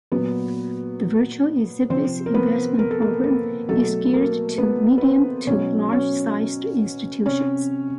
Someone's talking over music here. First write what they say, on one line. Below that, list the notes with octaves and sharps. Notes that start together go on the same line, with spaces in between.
The Virtual Exhibits Investment Program is geared to medium- to large-sized institutions.
A#2 F#3 B3 B4
C3 F3 C4 C5
A#4
B3 B4
A#4
A4
A#3 A#4
A#3 A#4
B2 F#3 A3 A4
A#3 A#4
B3 B4
B4
C4 C5
B2 F#3 C#4 C#5
C#4 C#5
C3 C#4 C#5